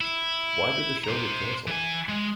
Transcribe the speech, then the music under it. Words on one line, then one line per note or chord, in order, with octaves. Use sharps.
Why did the show got cancelled?
E4
C5 A#5
E3 G#5
G#3